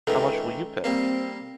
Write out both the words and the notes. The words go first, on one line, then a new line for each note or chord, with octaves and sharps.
How much will you pay?
C#2 D#3 E3 A4
G3 A#3 C4